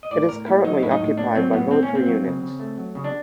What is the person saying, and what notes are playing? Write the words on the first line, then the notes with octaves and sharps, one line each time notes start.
It is currently occupied by military units.
D#5
A2 D5
A2 A#4
A#3 E4
F#3 D#4
A2 E4
D#4
A2
A#3 D4
F#3 C4
A2 B3
A2 C4
C#4
A#3
C4
F#3
C#3
C#3
A3
F#3
C#3
D4